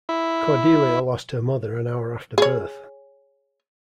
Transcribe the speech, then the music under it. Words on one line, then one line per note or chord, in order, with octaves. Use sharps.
Cordelia lost her mother an hour after birth.
E4
G#4 C#5